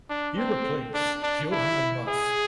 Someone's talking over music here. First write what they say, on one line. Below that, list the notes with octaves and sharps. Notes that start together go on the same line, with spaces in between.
He replaced Juhan Must.
D4
C4
D4
D4
E4
G#4